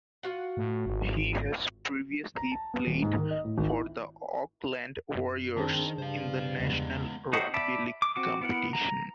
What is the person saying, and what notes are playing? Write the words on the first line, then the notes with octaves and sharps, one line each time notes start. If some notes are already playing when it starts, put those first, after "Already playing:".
He has previously played for the Auckland Warriors in the National Rugby League competition.
F4 F#4 F#5
A2
G#1
A#5
A5
B3
D#1
G#2
D#3
D#5
A2
G#1
E4
F#2
D#3 C4 D4 G#4 A5
G2 C#3 C5 F5
E2 C#3 G#3 B3
D#4 F#4 G4 A4 C5
D5 E5 A5 B5
D6
C4 F#4 D6
B3 E4 A#4 F#5
A#5